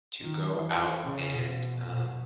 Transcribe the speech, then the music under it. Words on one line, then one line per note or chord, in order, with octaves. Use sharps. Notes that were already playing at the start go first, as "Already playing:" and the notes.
to go out and, um,
D#3
E3
C#3
B2
B2